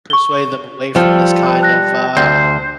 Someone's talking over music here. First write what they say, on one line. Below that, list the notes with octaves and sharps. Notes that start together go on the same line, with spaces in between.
Persuade them away from this kind of, uh
C#6 G7
F3 G3 A4
A5 F#6 A#6
D2 C5